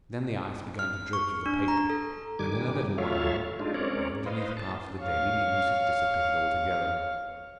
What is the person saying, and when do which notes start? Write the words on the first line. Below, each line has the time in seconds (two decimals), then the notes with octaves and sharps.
Then the ice began to drip through the paper, and in a little while, the underneath part of "The Daily News" had disappeared altogether.
0.79 F6
1.13 C#6
1.46 D4
1.68 A#5
1.90 A4
2.39 G2 D#3 G3 G#5 D6
2.98 F#3 A3 F4 C#5 E5 F5
3.60 G#3 D4 D#4 F4
3.74 G#3 C4 C#4 A#4 C#5 D5
4.26 B4 C5 D#5 F5
4.57 A5
5.03 C#5 F5